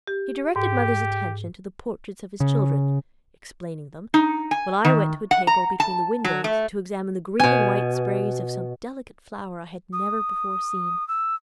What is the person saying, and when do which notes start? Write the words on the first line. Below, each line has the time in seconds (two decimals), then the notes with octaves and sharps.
He directed mother's attention to the portraits of his children, explaining them, while I went to a table between the windows to examine the green and white sprays of some delicate flower I had never before seen.
0.07 G4
0.56 G#2 G4
2.40 C#3
4.14 D#4
4.51 G#5
4.85 D#3
5.31 F#5
5.47 A#5
5.80 A5
6.24 F#3
6.44 A3
7.40 B2 G#5
9.93 D#6
11.08 E6